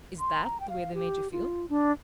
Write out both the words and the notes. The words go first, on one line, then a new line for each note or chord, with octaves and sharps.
"Is THAT the way they made you feel?"
C6
A#5
G5
F5
G4
F4
D4